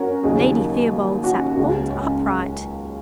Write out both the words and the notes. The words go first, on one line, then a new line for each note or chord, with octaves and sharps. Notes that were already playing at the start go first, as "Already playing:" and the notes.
Lady Theobald sat bolt upright.
Already playing: F#2 C#4 F#4 A#4 C#5
D#2 C#3 F#3 D#4 G#4
C#4 F#4
C#2 C#3 G#3
C#4